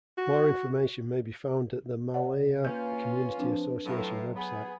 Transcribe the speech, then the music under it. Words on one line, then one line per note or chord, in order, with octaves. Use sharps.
More information may be found at the Maalaea Community Association web site.
F#4
C3 C#5 D5 F#5
A#3 C#4 F4 B4 G6
F3 C4 D4
A2 F#3 F4
B3 G#4